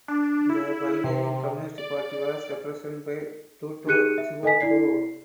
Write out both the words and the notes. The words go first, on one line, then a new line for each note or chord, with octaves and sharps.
The Bulgarian Communist Party was represented by Todor Zhivkov.
D4
E4
C3
D5
D#4 G4 G#4 F#6 C#7 D#7
E5
A4 D#5 G#5 B6
E4 D5 C7